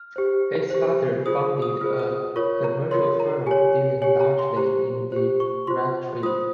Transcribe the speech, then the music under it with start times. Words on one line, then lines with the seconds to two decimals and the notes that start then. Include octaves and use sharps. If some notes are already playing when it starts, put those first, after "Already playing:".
His father founded a commercial firm dealing largely in the "rag trade".
Already playing: F6
0.16 G4 C5
0.70 G4 C5
1.26 F4 G#4 C5 D#6
1.62 D#6
1.81 F4 G#4 C5 F6
2.00 D#6
2.36 F4 A#4 C#5 C#6
2.64 A#5
2.91 F4 A#4 C#5 C6
3.20 A#5
3.46 G4 C#5 G#5
4.02 G4 C#5 G#5
4.20 A#5
4.39 C6
4.56 G4 C5 A#5
5.12 G4 C5
5.40 C#6
5.67 F4 C5 C6
6.23 F4 C5 D#6